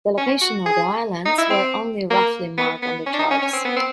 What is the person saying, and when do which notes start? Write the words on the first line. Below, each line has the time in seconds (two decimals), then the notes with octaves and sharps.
The location of the islands were only roughly marked on charts.
0.17 C#4
0.41 F#4
0.66 G#4
1.26 D#4
1.38 E4
1.50 C4
2.10 A#3
2.58 B3
2.83 B3
3.06 C#4
3.13 D4
3.19 D#4
3.31 C#4
3.42 C#4
3.53 C4
3.65 B3
3.76 C4